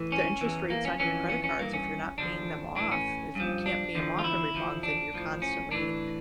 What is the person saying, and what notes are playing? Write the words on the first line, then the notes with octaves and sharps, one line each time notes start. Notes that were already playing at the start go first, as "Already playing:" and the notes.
the interest rates on your credit cards if you're not paying them off if you can't pay 'em off every month and you're constantly
Already playing: A2 E3
C#4
E2 E3
A#3
C#4
F2 E3 C#4
C#4
C#4
G2 E3 A#3
C#4
E2 D3 F3 D4
A2 E3 D4
C#4
G2 F3
D4
E2 D3 F3
F4
E4
E2 D3 F3
D4
A2 F3
C#4
A2 E3 D4